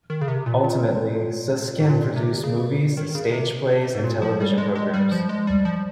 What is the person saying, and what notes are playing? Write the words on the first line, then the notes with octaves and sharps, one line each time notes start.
Ultimately, Susskind produced movies, stage plays and television programs.
D#3
C#3
C3
A#2
A#2
G#2
A#2
C3
C#3
D#3
C#3
C3
G#2
A#2
F3
G3
G#3
G#3
G3
F3
G#3
G3
F3